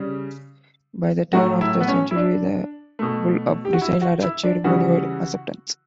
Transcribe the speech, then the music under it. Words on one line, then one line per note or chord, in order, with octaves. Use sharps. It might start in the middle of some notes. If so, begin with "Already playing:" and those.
By the turn of the century, the bullpup design had achieved world-wide acceptance.
Already playing: C#3 G3
A2 F#3 A3 F#4
E4
B3
C#4
E4
D4
B2 A3
G4
F#4
E4
F#4
E4
D4
C#3 E3 G3 F#4